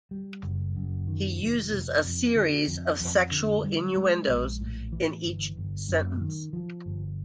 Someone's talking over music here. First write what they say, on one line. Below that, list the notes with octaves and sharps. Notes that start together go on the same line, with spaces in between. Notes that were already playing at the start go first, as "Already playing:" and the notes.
He uses a series of sexual innuendos in each sentence.
G3
F#1
F#2
D#3
F1
F1
F2
D3
F2
F2
D3
G3
G#3
A#1
A2
E3
G1
G1
F#2
D#3
F3
G1